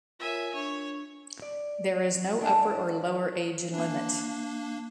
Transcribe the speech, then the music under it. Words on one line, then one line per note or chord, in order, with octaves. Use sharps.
There is no upper or lower age limit.
F4 A#4 C#5 E5 G#5
D4 C#5
D5
A2 E3 D4 A4 D#5 F5
A#3 D4